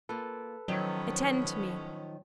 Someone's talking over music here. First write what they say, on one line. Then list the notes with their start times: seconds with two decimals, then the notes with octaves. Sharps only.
"Attend to me."
0.09 A#3 F4 A4 B4
0.68 A2 D#3 F3 F#3 B3 C#4